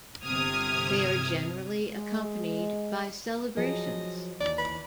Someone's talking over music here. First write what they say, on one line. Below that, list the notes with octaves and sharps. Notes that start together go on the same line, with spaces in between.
They are generally accompanied by celebrations.
G1 C3 D#6 F6 G#6
G#3
F3 F#3 G#4 D#5
D#2 E3 D5
B5